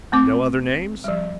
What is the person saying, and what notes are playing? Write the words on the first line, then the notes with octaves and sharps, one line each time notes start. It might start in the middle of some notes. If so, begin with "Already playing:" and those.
"No other names?"
A3 C4 D6
F3 G3